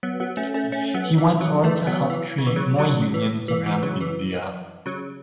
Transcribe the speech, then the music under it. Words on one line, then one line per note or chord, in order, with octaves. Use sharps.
He went on to help create more unions around India.
F#3 B3
F#3 B3
A3 C#4
A3 C#4
A3 C#4
F#3 B3
E3
C#3 F#3
E3 A3
F#3 B3
E3
C#3
E3
C#3 F#3
C#3 F#3
E3
E3
E3
C#3 F#3
E3
C#3 F#3